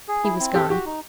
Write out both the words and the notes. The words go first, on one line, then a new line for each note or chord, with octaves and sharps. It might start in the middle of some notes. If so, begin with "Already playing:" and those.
He was gone.
G#4
E4
C4
G4 A4
F#4 G4
D#4